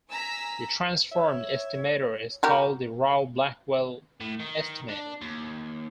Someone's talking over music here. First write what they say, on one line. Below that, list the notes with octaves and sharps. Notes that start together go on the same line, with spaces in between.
The transformed estimator is called the Rao-Blackwell estimator.
G#5 A#5 E6 B6
C#5 E5
F#4 G4 A#4
A2
D#3
D4
D#2